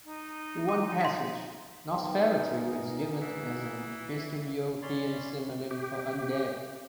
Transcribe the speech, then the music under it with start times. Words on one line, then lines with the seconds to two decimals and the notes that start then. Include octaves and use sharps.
In one passage, "nosferatu" is given as an "Eastern European" synonym for "un-dead".
0.04 D#4
0.69 D6
1.01 C6 B6
1.94 B3 D#4 G#4 A#4 G5 C6
3.21 E3
4.82 C#4 C#5 D5 B5 C6
5.71 G4